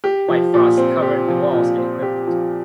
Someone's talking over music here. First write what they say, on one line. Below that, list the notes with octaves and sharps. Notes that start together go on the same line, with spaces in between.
White frost covered the walls and equipment.
G4
F3
A#2
C4
G4
F3
A#2
C4
G4
F3